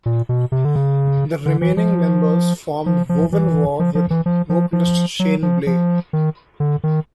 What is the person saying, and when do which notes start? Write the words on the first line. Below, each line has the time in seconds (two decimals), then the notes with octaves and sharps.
The remaining members formed Wovenwar with vocalist Shane Blay.
0.06 A#2
0.29 B2
0.52 C3
0.65 D3
0.76 C#3
1.46 D3
1.62 E3
1.77 F3
2.86 F3
3.09 F3
3.32 E3
3.80 F3
3.95 F3
4.10 E3
4.26 F3
4.50 F3
4.73 F3
5.20 F#3
5.43 F3
5.67 F3
6.13 D#3
6.60 D3
6.84 D#3